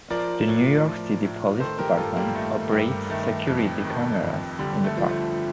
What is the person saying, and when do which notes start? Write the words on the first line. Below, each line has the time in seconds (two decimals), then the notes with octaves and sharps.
The New York City Police Department operates security cameras in the park.
0.10 F3 A#4 D5
0.48 A2
0.86 F3
1.23 A2
1.60 D#3 A4 C5
1.79 G4 A#4
1.97 G2 F4 A4
2.16 G3 A#3
2.35 D#3 A3
2.72 G2
3.10 D#3 A3
3.47 F2
3.84 D#3
4.22 F2
4.59 D3 G3
4.84 A3
4.97 F3
5.09 A3